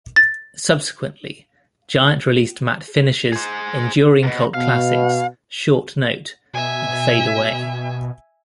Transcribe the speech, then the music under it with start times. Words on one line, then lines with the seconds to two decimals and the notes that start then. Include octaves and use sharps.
Subsequently, Giant released Matt Finish's enduring cult classics "Short Note" and "Fade Away".
0.16 A6
3.32 G#4 C5
4.23 E2 B2
4.54 B2 F5
6.54 B2 E5 G#5